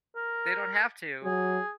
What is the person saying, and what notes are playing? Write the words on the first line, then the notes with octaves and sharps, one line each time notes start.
they don't have to
A#4
F#3 G#4